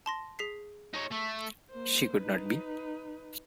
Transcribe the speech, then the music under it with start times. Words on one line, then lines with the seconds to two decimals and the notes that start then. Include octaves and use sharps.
She could not be.
0.06 A5 C6 A#6
0.39 G#4 B6 C7
0.94 D#4 C#5
1.11 A3
1.71 A#3 C5
2.20 D#4 B4